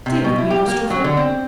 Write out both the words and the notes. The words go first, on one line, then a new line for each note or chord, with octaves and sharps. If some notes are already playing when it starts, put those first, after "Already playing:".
Stay with me, Christopher.
C3
B2
E4
G4
A#3
F#3
D3
C4